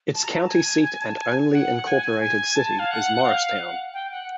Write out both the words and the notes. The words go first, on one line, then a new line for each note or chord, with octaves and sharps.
Its county seat and only Incorporated city is Morristown.
A5
A#5
A5
G#5
G#5
A5
G#5
F#5
G#5
G#5
A5
F5
F#5
F5
F#5
G5
F#5